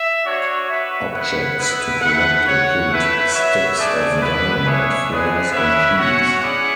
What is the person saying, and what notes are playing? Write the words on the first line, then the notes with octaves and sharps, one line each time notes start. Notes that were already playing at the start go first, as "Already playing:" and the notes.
Objects to collect include sticks of dynamite, flares, and keys.
Already playing: E5
D4 F#4 C#5
F#4 B4 E5
B3 E4 B4 F#5
B3 E4 B4
A3 E4 B4 F#5
F#4 C#5 F#5
A3 E4 B4 E5
F#4 C#5 E5
A3 D4 G#4 D5
B3 E4 B4
D4 G#4 C#5 E5
G#3 B3 D4 G#4 B4
C#4 E4 B4 E5
C#4 F#4 C#5 F#5
C#4 E4 G#4 D5 F#5